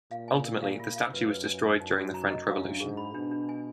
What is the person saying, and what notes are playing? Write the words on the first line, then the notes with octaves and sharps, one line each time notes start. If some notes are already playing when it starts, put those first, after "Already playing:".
Ultimately, the statue was destroyed during the French Revolution.
A#2 F5
G#5
A#4
F5
F4
F5
F#2 B4
B4
G#5
G#5
F#2 D#4
F#4
A#5
D#5
F#2 F5
D4
G#2 G#4
B5
B2 D4
D4
G#5